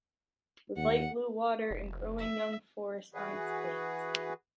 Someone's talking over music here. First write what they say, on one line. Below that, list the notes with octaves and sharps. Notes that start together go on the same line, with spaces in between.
With light blue water and growing young forest on its banks.
D#2 F#5
F1
E5
E3 F#4 G#4 B4